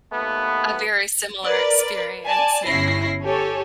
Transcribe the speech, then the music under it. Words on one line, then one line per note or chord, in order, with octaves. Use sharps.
A very similar experience, yeah.
D#2 A3 B3
A#4 B4 D5
D5 G#5 A5
G1 C#4 E4 A#6 C7
G4 A4 C#5 G#5